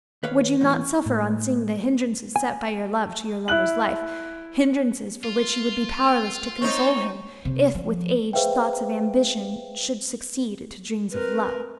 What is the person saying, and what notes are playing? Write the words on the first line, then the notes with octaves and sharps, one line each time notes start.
Would you not-suffer on seeing the hindrances set by your love to your lover's life, hindrances for which you would be powerless to console him, if, with age, thoughts of ambition should succeed to dreams of love?
D#2 B4 C#5 F5
E2 A2
A2
G#5
E4 F#6 F#7
F4
C4 D#4 C#5
C3
F3
G#4 B4 C5 E5 F5 G5
C4 A#4 B4